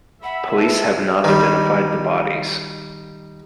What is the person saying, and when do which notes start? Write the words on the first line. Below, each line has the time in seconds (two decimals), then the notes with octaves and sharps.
Police have not identified the bodies.
0.23 E5 F#5 B5
0.58 A4 B4
1.24 D#3 G3